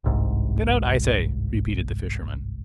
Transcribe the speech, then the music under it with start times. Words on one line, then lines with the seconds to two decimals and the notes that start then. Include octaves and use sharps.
"Get out, I say!" repeated the Fisherman.
0.04 G1 C2 G#2